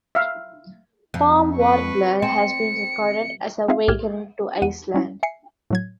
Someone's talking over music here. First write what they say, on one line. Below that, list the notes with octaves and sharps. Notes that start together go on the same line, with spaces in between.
Palm warbler has been recorded as a vagrant to Iceland.
E5 F5
F2
B4 C#6
C4 C#7
C4 D#4 F4 G#4 E5 F5
B1 A2 G4 G#4 F6 G#6
E2 F#5 D#7
G3 C#4 E4
E5 G#5 C7 C#7
A2 F#3 G#6